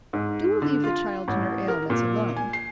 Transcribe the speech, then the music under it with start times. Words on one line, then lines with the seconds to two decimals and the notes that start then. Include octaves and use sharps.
"Do leave the child and her ailments alone!"
0.13 G#2
0.62 D3
0.84 F4
1.28 A1
1.68 A#4
1.90 A#2
2.37 G#5
2.53 C7